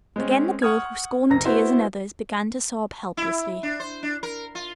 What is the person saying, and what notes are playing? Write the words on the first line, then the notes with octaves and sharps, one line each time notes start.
Again the girl, who scorned tears in others, began to sob helplessly.
G#3 C4 C#4
F#5 C#6 D#6 F6 G#6
F#1 A#5 A#6
B3 E4 F#4 C5
E4
D4
C5
D4
A#4
F4